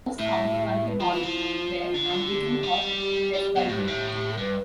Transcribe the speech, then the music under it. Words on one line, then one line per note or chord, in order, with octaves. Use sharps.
Most Countryborn were Anglican or Presbyterian.
A2 E5
B4
F3 F4
E3 F4
F3 E4
F4
D3
G4
G3
G4
G3
B2
A2 G4
G2
A2
G2 B4